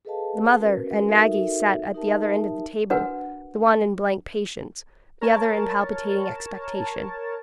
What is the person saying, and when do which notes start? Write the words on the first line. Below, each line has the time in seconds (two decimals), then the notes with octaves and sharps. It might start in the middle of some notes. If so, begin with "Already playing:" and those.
The mother and Maggie sat at the other end of the table, the one in blank patience, the other in palpitating expectation.
0.05 G#4 A4 B4 D#5 F5 A5
0.59 C#4 F#4 A#4 B4
1.09 D#4 F#4 A4 A#4 E5
1.94 D#4 G4 A#4 E5 A5
2.90 D4 F#4 A#4 B4 F#5
5.21 A#4 C#5 A5